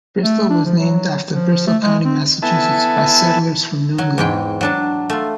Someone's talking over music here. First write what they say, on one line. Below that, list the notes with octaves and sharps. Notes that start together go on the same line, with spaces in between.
Bristol was named after Bristol County, Massachusetts, by settlers from New England.
A3
D4
F3
F#3
F3
A3
G#3
C4
B3 E4 A4 E5 G#5 A5
F#3
E2 G#2 G5
F#3 D4 A5
A3 F4